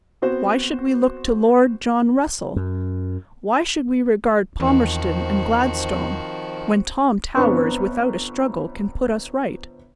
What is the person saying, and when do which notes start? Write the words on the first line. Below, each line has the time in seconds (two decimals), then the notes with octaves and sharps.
Why should we look to Lord John Russell;--why should we regard Palmerston and Gladstone, when Tom Towers without a struggle can put us right?
0.22 B3 C4 F#4 C5
2.56 F#2
4.60 E2 D#3 F3 C4 F#4
7.35 G1 B3 C4 D4 B4 C#6